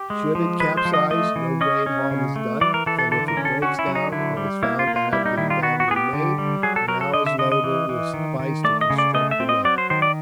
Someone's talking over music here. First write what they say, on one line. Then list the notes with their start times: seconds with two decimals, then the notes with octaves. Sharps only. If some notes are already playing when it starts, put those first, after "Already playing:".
Should it capsize, no great harm is done; and if it breaks down, or is found to have been badly made, an hour's labour will suffice to construct another.
Already playing: G4
0.10 G#3
0.35 F3
0.60 G#3 B4
0.77 C5
0.85 F3
0.94 D#5
1.11 A3 D#5
1.36 E3
1.61 C#4 D#5
1.86 C#4
2.11 C#3
2.36 A3
2.61 E3 D5
2.74 A#4
2.86 E3 A4
2.99 A4
3.11 D3 A4
3.28 A#4
3.37 C#4
3.45 A4
3.62 C#4 F#4
3.79 E4
3.87 F#3
3.95 D#4
4.12 D3 E4
4.37 G3
4.63 A#3 E4
4.79 F4
4.87 A#3
4.96 F4
5.13 G3 E4
5.26 D#4
5.38 D#3 E4
5.50 F4
5.63 B3 F#4
5.80 F#4
5.88 B3 G#4
5.96 G4
6.13 D3
6.38 G3
6.63 F#3 G#4
6.76 A4
6.88 F#3 A#4
7.01 A4
7.14 D3 D#5
7.26 E5
7.39 D3 D#5
7.52 D#5
7.64 E3
7.89 E3
8.14 D#3
8.39 D#3
8.64 A3 D5
8.81 D#5
8.90 C#3
8.98 D5
9.14 A3 D#5
9.31 E5
9.40 C4
9.49 D#5
9.65 F#3 D5
9.78 C5
9.90 D#3 C5
10.02 D5